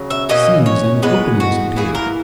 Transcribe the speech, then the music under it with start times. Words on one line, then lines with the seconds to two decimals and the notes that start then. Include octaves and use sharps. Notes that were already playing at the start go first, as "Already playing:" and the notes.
Seams and openings appeared.
Already playing: C#3 F#3
0.10 E5
0.29 B2 A#3 C#4 D#5
0.66 C#5
1.02 E3 G#3 B3 B4
1.40 F#4
1.76 E3 A#3 E4 G#4
1.95 A#4